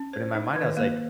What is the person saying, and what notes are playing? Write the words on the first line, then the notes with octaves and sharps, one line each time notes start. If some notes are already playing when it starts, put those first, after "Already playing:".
but in my mind I was like,
Already playing: C#4
C5
D#4
D#3
A#3